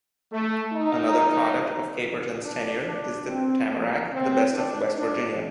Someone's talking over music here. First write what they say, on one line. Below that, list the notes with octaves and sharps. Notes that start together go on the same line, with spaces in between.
Another product of Caperton's tenure is the "Tamarack, the Best of West Virginia".
A3
D#4
D4
D4
C4
A#3
C4
D4
D4